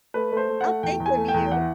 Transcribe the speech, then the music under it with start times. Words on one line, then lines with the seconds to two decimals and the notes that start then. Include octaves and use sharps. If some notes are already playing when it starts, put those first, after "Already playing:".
I'll think of you.
0.14 A3 B4
0.32 A3
0.37 C5
0.49 A3
0.61 A3 F#5
0.83 E2 G5
1.00 E2
1.06 G#5
1.17 A3
1.28 G5
1.34 E2
1.51 E3 F#5